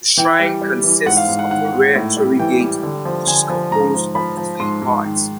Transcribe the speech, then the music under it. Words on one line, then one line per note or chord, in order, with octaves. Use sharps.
The shrine consists of a rare tori gate which is composed of three parts.
E3 G5
G3
G3
E3
G#2 F#5
F5
G#2
F#5
D#3 F#5
G#2
A2
G3
E3 G5
G3
D3
F3
D3 G#5
F3
G#2 A#5
F3
F3 B5
F3
G#2 C6
G#2
D#3